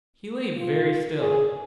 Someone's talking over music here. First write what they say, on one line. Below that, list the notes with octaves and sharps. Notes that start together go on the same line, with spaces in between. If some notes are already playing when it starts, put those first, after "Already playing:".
He lay very still.
F4
G#4